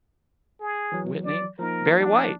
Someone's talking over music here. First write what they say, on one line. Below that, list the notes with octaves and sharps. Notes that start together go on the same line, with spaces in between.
Whitney, Barry White.
G#4
E3 F#3
D5
F3 A#3 D#4 A#4
D4